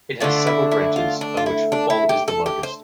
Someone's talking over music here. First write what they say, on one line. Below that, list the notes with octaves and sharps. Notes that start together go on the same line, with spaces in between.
It has several branches, of which football is the largest.
D3 A3 D4 F4
E4
E4
F4
D4
F4
E4
D4
E4
G4
A4
G4
C5